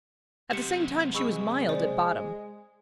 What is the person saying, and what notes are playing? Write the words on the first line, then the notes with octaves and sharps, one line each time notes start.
At the same time she was mild at bottom.
C3 F#3 G4 C#7
G#3 B5 C#6 E6
C5 D5